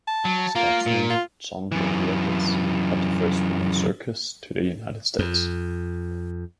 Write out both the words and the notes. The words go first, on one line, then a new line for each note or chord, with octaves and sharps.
The Scotsman John Bill Ricketts brought the first modern circus to the United States.
A5
F#3
A#3 F4
A#2
F4
F#2 E3
F2